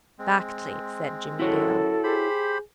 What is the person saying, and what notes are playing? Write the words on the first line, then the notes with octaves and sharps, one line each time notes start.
"Exactly," said Jimmie Dale.
G#3 C4
F#2 E4 F#4 A4 C#5
G4 G#4 C5 B5